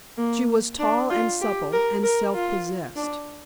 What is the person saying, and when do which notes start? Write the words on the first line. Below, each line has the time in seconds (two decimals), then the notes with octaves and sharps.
She was tall and supple and self-possessed.
0.17 A#3
0.79 D4
1.10 F4
1.41 G4
1.73 A#4
2.03 A#4
2.34 F4
2.96 D4